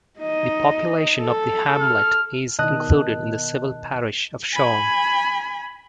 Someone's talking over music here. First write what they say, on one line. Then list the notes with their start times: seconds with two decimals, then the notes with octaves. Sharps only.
The population of the hamlet is included in the civil parish of Shorne.
0.20 D#4 D#5
1.21 A4
1.80 F6
2.59 B2 D#3 D#5 A5 F#6
4.54 G#5 B5